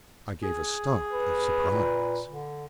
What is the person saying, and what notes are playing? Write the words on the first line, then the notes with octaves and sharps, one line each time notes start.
I gave a start of surprise.
G#4
B4
A#2
D3